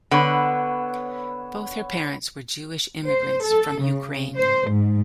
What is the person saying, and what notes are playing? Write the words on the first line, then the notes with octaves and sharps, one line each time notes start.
Both her parents were Jewish immigrants from Ukraine.
D3 B3 B4 C#5 E5
C5
A4
C#3
C5
G#2